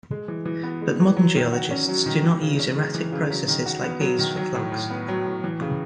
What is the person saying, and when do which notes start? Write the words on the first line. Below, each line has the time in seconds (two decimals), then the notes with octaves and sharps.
But modern geologists do not use erratic processes like these for clocks.
0.11 G#3
0.28 E3
0.46 E3
0.63 B3
0.82 G#3
1.00 E3
1.16 F#3
1.35 D#3
1.53 F#4
1.71 C#4
1.88 F#3
2.06 D#3
2.24 E3
2.42 C#3
2.59 C#4
2.77 G#3
2.94 E3
3.12 C#3
3.30 F#3
3.48 D#3
3.66 F#4
3.83 B3
4.01 F#3
4.19 D#3
4.37 F#3
4.55 A2
4.72 A2
4.90 B3
5.08 F#3
5.26 A2
5.44 E3
5.62 C#3